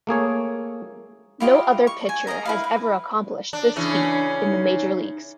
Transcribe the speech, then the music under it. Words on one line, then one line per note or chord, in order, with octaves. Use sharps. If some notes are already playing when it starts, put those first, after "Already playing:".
No other pitcher has ever accomplished this feat in the major leagues.
A3 A#3 G#4 C#5
E4 F4 G4 D#5
C#6
G#5
G#4 A#4 D#5 A#5
E4 B4 F5
B4
D4
C#3 E3 C#4 D4
D#4